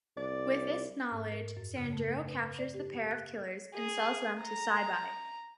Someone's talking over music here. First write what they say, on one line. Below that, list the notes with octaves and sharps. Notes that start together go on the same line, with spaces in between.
With this knowledge, Sanjuro captures the pair of killers and sells them to Seibei.
C2 D5
G#2
A#4
F#2
C#3
A3
B4
D5
G4
F#6
G#4
A#5